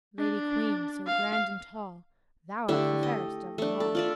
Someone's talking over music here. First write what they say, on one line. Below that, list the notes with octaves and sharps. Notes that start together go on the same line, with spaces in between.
"Lady queen, so grand and tall, Thou art the fairest of them all."
D4
F5
D3 A3 E4 G4
D#5
A3 D4
A4
F4 D5 E5